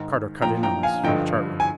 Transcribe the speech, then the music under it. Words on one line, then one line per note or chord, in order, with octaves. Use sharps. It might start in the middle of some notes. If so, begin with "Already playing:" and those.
Carter cut in on us from the chart room.
Already playing: G#2 D#3
A#2 F3 G5 A#5
G5 A#5
F5 G#5
G2 D3 F3 D#5 G5
G#5